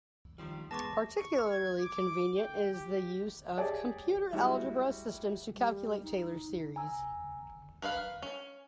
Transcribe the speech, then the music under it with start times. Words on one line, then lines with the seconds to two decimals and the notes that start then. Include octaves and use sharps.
Particularly convenient is the use of computer algebra systems to calculate Taylor series.
0.38 D#3 F3 G3
0.71 E2 G#3 B3 A5 C#6 D6 A#6
1.18 C#6
1.50 G#6
1.81 D6
2.38 G5
2.74 G4
3.57 G4 G#4 C#5 D5 G#5 A5
4.33 G3 G#3 E4 F#4
5.55 G3
6.03 D#4
6.76 G#5 A#5 E6
7.82 A#4 B4 E5 F5
8.22 C#4